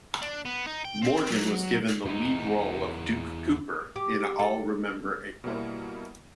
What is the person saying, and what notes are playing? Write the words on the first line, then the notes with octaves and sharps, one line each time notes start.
Morgan was given the lead role of Duke Cooper in "I'll Remember April".
D4
B3
D#4
G5
C4
F#3
E2 D#4
G4
A4
B2 G3 A#3 E4